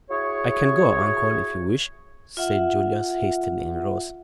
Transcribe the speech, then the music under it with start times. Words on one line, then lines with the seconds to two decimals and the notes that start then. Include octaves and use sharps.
"I can go, uncle, if you wish," said Julius, hastily, and rose.
0.10 E4 F#4 G#4 C#5
2.37 F4 E5 F#5